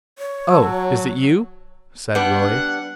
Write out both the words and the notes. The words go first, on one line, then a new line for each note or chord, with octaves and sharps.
"Oh, is it you?" said Roy.
C#5
F#3 A5 E6
G3 B3 D4 F#5